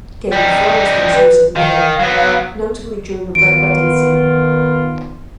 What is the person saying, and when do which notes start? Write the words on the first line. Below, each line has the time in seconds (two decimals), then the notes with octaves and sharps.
Game of Thrones makes use of mail, notably during the "Red Wedding" scene.
0.32 G3 D#4
1.13 B4
1.56 D#3 F5
1.99 F#3 B3
3.35 D#3 B3 F4 D7